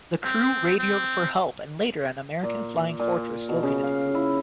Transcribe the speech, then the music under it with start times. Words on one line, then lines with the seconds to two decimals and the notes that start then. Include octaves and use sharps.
The crew radioed for help and later an American Flying Fortress located the crew.
0.24 C4
0.78 C4
2.43 A#2
3.00 A#2
3.49 B2
3.63 C#3
3.83 F5
4.15 E4